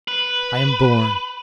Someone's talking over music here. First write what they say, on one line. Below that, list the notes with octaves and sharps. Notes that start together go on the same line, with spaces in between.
I am born.
B4